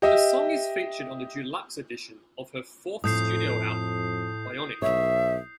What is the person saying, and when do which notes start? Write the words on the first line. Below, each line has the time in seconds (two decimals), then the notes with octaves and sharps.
The song is featured on the deluxe edition of her fourth studio album "Bionic".
0.02 G4 D#5 E5
3.04 F2 A2 D#6 G6 C7
4.82 B1 C#5 E5